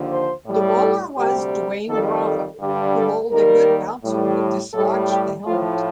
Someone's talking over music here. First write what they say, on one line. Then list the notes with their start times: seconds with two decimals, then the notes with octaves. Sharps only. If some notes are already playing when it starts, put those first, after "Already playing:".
The bowler was Dwayne Bravo, who bowled a good bouncer that dislodged the helmet.
Already playing: D#2 D3 F3
0.09 C5
0.45 A2 G3
0.81 A4
1.16 D2 C3 G3 G4
1.88 F2 D#3 G3 A4
2.23 A4
2.59 G2 D3 G3 G4
2.95 A4
3.31 D#2 D#3 G3 A#4
4.03 A2 G3
4.73 A2 G3 A4
5.10 G4
5.45 A2 F3 F4